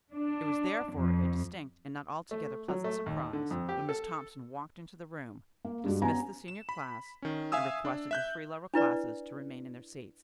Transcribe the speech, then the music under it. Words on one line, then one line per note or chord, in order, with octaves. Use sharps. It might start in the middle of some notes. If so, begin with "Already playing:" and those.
It was therefore a distinct and not altogether pleasant surprise when Miss Thompson walked into the room, dismissed the senior class and requested the three lower classes to remain in their seats.
D4
F2
A3
F#3
A3
D#2
D3
F2
G4
A4
A#3
G2 G#3 D4 F#4
B3 C#4 F#4 G#5 A#5
E7
B5
D#3 C#4
E5 F5 G#5 D#6 E6
D4
E5 F#6 G6
D4 E4 B4 D5